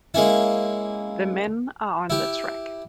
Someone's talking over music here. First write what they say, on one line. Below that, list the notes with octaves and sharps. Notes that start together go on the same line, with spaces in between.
The men are on the track.
G#3 A#3 C#4 E4
E4 G4